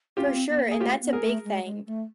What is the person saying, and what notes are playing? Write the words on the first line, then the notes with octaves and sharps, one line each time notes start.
For sure, and that's a big thing.
C#4 F4 G4
C4
B3
A#3
G#4
A3 F4 G4
B3
G#4 A#4
A3
G#3
G#3
A3